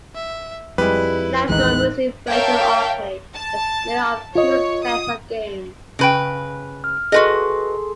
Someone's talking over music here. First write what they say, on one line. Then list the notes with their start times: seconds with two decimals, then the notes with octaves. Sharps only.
"Namco Museum Virtual Arcade" is made up of two sets of games.
0.15 E5
0.78 F2 G3 G#3 E4 B4
1.49 A1 D#2 D#3 E3 G#3 F#6
2.27 A#4 C#5 E5 F5 G5 A5
3.35 A5
4.35 F4 C#5 D#5
4.85 D#6
5.99 C#3 B4 G5
6.84 F6
7.12 F#4 G#4 A4 B4 D#5 C6